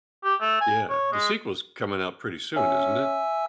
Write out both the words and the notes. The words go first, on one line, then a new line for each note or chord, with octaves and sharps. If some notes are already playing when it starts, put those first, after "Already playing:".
yeah. The sequel's coming out pretty soon, isn't it?
G4
A3
G#5
C#5
G#3
C#4 E5 G#5 E6